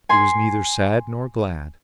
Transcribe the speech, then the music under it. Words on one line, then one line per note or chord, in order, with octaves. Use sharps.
It was neither sad nor glad.
G#5 C6